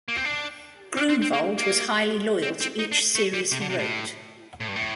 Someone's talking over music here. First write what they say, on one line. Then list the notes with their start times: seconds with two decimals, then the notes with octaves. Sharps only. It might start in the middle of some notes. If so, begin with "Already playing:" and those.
Gruenwald was highly loyal to each series he wrote.
0.08 A#3
0.16 C4
0.25 D4
0.97 D4
1.09 C4
1.22 C4
1.33 A#3
1.58 A#3
2.42 C4
2.61 C4
2.79 D#4
2.92 D4
3.15 A3
3.33 G3
3.52 C3
3.61 D3
3.70 C3
3.79 A2
4.60 A2
4.68 G2
4.76 A2